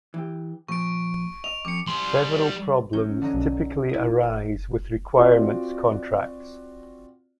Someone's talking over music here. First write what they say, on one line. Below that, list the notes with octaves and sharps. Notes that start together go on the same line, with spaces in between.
Several problems typically arise with requirements contracts.
E3 G4
A#2 F3 C#6 D7
D#5 F7
F2 D6 C#7
G3 C6
F#3 C#4 G6
D3 F#3 D#4
B1
E4 D#6
C4 F4 F#4 D5